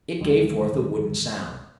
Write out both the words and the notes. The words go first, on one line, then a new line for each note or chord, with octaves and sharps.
It gave forth a wooden sound.
D#2 A2 D3 D#3 F#3 G#3